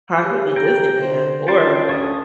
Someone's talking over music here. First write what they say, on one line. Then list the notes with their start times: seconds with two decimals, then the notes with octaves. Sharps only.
possibly Disneyland or
0.22 C#3 G4
0.56 G5 A#5
1.02 D3 C5
1.48 C#4 F4 G5 A5 C6
1.89 D2 C#5 A5 D#6